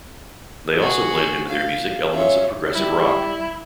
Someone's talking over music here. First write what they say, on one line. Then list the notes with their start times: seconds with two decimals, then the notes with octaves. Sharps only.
They also blend into their music elements of progressive rock.
0.79 F#4 G#4
1.48 F5
2.12 C#4 F4 E5
2.75 G3 E4